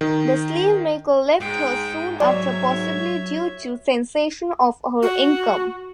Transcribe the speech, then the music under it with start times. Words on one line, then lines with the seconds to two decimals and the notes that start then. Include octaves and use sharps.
The sieve-maker left her soon after, possibly due to the cessation of her income.
0.01 D#3
1.40 G#2 G#3 G5
2.20 F#3 C#5 D5 E5
5.03 F#4